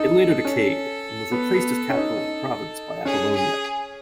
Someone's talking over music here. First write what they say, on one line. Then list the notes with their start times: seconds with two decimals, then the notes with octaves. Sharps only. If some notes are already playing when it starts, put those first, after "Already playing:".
It later decayed and was replaced as capital of the province by Apollonia.
Already playing: D#4 A4
0.45 C#4
1.32 B3
1.54 B3
1.90 C#4
1.97 D#4
3.05 C#4 G#4
3.35 G#4